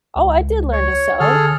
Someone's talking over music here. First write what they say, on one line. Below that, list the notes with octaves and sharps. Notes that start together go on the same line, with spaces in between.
"Oh, I did learn to sew."
C#2
C#5
D3 G#4 A4 F6